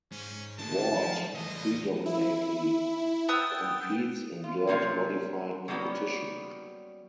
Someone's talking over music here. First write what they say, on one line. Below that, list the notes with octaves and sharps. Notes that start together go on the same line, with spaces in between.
Ward predominately competes in dirt modified competition.
G#2 C#4
D3 G#3 A5
F3
E2 A3 D#5
E4
B3 G5 D#6 E6 A6
F4
C3 G3 A#3 C4 F4 C#5
F#3 G3 A#3 B3 C#4